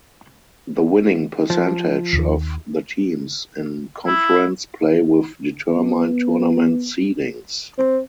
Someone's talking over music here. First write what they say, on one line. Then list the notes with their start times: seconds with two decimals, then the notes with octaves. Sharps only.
The winning percentage of the teams in conference play will determine tournament seedings.
1.50 F3
2.13 D#2 D#3
4.07 E4
5.70 B3
7.78 C4